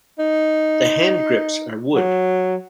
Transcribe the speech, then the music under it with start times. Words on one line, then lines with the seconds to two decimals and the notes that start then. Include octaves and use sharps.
The handgrips are wood.
0.19 D#4
1.95 F#3